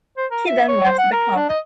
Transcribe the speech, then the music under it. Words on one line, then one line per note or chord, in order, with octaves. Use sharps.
He then left the club.
C5
A#4
E5
C#5
C5
F#5
A#4
D4
D#5